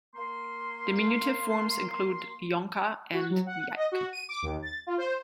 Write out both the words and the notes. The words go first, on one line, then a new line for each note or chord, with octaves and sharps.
Diminutive forms include "Ilonka" and "Ilike".
A#3 C6
F#4
F#3
F#5
D#5
F#4
D#7
D6
D#2
A6
F4
C5